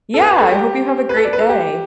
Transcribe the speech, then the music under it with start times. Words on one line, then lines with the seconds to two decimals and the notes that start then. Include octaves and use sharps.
Yeah, I hope you have a great day.
0.14 A4
0.19 B4
0.30 B4
0.40 A4
0.52 G4
1.09 B4
1.16 A4
1.25 D5
1.33 B4
1.40 A4
1.49 G4